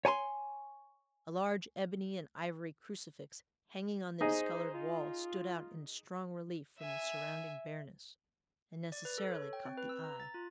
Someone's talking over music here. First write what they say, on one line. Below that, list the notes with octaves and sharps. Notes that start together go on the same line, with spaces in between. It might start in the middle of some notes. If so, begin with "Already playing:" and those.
A large ebony and ivory crucifix hanging on the discolored wall stood out in strong relief from the surrounding bareness, and necessarily caught the eye.
C#5 G#5 A5 C6
D#4 G#4 C5
F4
E5 G#5
D5
B4
A4
C#5
G5
C4
B4
E6
A#5
A6
F4